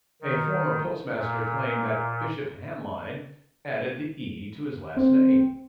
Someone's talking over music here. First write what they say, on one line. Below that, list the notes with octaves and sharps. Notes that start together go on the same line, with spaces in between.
A former postmaster claimed that Bishop Hamline added the "E" to his last name.
D#3
A#2
C4